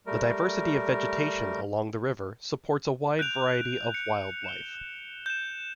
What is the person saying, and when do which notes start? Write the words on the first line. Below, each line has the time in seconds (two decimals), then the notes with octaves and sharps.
The diversity of vegetation along the river supports a wide variety of wildlife.
0.06 G3 A3 A#4
3.19 F#6 G6 D7 F7
3.94 C#7
4.44 E7 G7
5.26 G6 E7